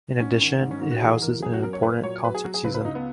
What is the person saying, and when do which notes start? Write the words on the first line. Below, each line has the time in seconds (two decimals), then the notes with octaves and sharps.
In addition, it houses an important concert season.
0.20 G#2 C#4
0.41 D#3
0.61 G#2
0.71 C#4
0.81 G#2 C#4
0.91 F#4
1.02 E3 G#4
1.22 E3 A#4
1.42 F#2 G#4
1.53 F#4
1.63 F#2 A#4
1.73 C#5
1.83 A#2 B4
2.03 F#3 C#5
2.23 F#3 B4
2.35 G#4
2.44 F#3 F#4
2.54 G#4
2.64 C#2 B4
2.75 B4
2.85 C#2 D#4
2.95 B3